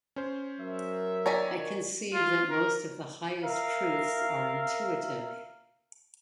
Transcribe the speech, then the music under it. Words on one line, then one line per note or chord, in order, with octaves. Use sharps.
I conceive that most of the highest truths are intuitive.
C#4 C5
F#3 A#4 E5
D#3 C#5 D5 G#5 A#5 B6
F4
A#4
A#4 E5 F5